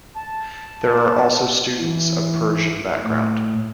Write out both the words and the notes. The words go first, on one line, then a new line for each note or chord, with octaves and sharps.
There are also students of Persian background.
A5
E3
A2